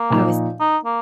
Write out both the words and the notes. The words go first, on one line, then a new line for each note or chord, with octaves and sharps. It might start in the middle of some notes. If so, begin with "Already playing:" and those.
I was
Already playing: A#3
A#2 F3 D#4
D#4
A#3